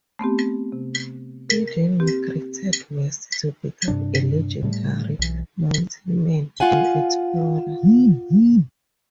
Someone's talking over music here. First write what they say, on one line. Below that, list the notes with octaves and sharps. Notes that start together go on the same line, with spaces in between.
He then migrated west to become a legendary "mountain man" and explorer.
A3 B3 C4 G4
C3
A#4
A#3 C4 G4
G2 C3 D4
A2 G3 A3
B1 E3
F4 F5 F#5 G#5